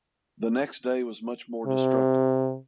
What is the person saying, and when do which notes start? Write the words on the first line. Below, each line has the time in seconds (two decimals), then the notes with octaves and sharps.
The next day was much more destructive.
1.66 C3